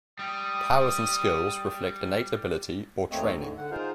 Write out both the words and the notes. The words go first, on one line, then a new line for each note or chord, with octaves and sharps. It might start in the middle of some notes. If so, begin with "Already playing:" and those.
Powers and Skills reflect innate ability or training.
G3 D#6
D#2 A3 A#3 C4 C#5 D#5
G#2 D3
D3 F#5
D#4 F4 G#4 A#4 C5 F5